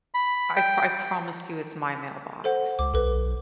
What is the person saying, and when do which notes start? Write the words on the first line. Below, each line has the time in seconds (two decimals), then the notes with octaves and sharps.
I I promise you it's my mailbox.
0.14 B5
0.56 G5
2.44 A4 C5 F#5
2.79 C#2 D6
2.94 B1 A4 B4